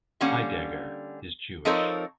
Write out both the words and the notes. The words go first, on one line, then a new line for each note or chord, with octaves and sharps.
Heidegger is Jewish.
D3 G3 A#3 C#4 F#5
F3 C4 D#4 A4 A#4 C#5